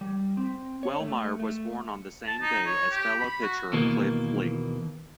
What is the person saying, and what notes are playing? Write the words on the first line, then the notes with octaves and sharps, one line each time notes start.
Wellemeyer was born on the same day as fellow pitcher Cliff Lee.
G3
C4
C#5
A3
A3
A5
D#4
C#5
G4
B5
F#4
D#2 B2 E3 A#3